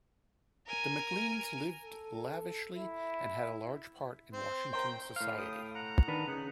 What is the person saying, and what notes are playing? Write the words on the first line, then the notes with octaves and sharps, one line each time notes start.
The McLeans lived lavishly and had a large part in Washington society.
A#4 G#5
A4
E4
C4 C5
A#4 C5 G5
A2 F5
G5 D#6
F#5 A#5
D#3 D4 B4
C#3 D#4 F#5